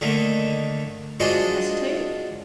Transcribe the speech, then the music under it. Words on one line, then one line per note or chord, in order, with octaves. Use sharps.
"You hesitate?"
D3 D#3 A3 A#3
G#3 D4 F4 F#4 C5 D#5